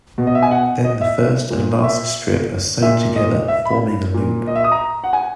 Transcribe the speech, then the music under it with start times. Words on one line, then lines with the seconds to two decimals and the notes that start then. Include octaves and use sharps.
Then the first and last strip are sewn together, forming a loop.
0.18 B2
0.27 D#5
0.35 E5
0.43 G#5
0.51 F#5
0.84 D#5
1.01 E5
1.51 A#2
1.83 E5
2.82 A#2 E5
3.16 D#5
3.48 E5
3.65 B5
4.14 A#2
4.47 D#5
4.55 E5
4.64 D#6
4.72 A#5
5.04 F#5
5.13 G#5